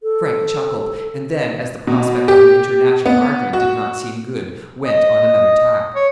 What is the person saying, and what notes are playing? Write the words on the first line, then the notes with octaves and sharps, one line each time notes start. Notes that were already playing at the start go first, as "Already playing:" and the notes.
Frank chuckled; and then, as the prospect of an international argument did not seem good, went on another tack.
A4
B2
G4
B3
F#4
D#5
C#5